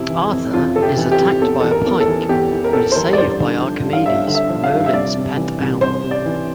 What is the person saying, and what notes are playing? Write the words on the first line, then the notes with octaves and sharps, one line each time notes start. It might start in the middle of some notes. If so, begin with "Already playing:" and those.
Arthur is attacked by a pike but is saved by Archimedes, Merlin's pet owl.
Already playing: F2 C3 E4
E3
F2
F2 F4
C3 A4
G4
E3
G4
F2
E2 A4
E3 A4
A#4
E2
A4
E3
E2 G4
E3
A#4
E2 A4
C5
E3 A#4
D5
G2 C5
D3
F3
G2
F5
G2 E5
D3
E5
F3
F5
G2
E5
C2 D5
C3
E3
C2
C2 C5
C3
D5
E3